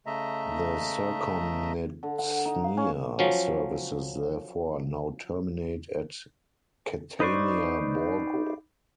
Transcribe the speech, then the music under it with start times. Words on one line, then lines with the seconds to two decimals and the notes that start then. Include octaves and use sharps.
The Circumetnea services, therefore, now terminate at Catania Borgo.
0.06 C#3 A3 D#5 E5 A#5
2.03 D3
2.19 F#5
2.45 D#4
2.64 F5
2.77 C#4
3.19 F3 F#3 C#4
7.20 D#4 B4 C5 D5 C#6